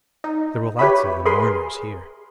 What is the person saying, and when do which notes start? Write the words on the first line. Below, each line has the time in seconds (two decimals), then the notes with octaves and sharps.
There were lots of the mourners here.
0.24 D#4
0.79 G4 B4 C#5 E5 B5
1.25 G#4 A#4 B4 B5 C6